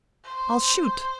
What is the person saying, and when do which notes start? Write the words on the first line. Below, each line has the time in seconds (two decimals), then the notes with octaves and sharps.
I'll shoot!
0.24 C5